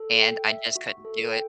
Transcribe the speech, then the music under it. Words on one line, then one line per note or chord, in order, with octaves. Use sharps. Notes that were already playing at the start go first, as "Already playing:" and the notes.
and I just couldn't do it,
Already playing: A4
G5
E5
F#4
A4
G5